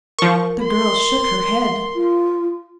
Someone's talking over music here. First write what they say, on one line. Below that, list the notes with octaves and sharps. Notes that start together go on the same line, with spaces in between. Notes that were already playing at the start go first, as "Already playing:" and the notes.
The girl shook her head.
F3 A#4 C#6
C6
F4